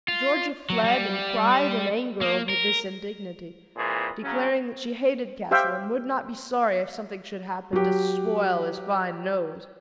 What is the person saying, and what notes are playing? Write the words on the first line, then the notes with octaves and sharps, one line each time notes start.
Georgia fled, and cried in anger over this indignity, declaring that she hated Castle and would not be sorry if something should happen to spoil his fine nose.
F4
F#3
G3
A#3
A#4
A#2 E3 C4 G#4
C#3 F#3 C#4
G4 C5 E5 F5 G5
F#3 G4